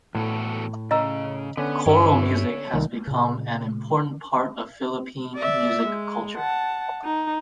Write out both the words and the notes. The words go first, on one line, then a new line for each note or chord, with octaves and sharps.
Choral music has become an important part of Philippine music culture.
E2 A2 F#4 A4
C#3 D#5 A#5 E6
D3 B3 C#4
G2 C#5 E5
C2 D#3
A#2 C#3
D5 E5
G#3
F#5 A5
D#4